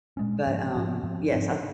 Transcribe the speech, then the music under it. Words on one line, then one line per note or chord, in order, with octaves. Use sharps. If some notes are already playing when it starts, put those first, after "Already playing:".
but, um, yes, I s
A#2 G#3 C#4
G#2 F3 A#3 C#4
G#2 F3 A#3 C#4
G#2 F3 C4
G#2 F3 C4